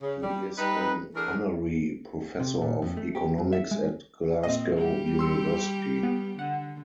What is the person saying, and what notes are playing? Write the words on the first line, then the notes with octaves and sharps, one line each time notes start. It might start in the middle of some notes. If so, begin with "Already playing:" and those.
He is an honorary Professor of economics at Glasgow University.
C#3
G3
G3 D#4 B4
E3 A3 D4 G#4 A#4
C3
A#2
F2
A3
G4
F#2
E5
G#3
A#2 C4 D#5
G3 G4
C6 E6 C#7
B3
D3 F#5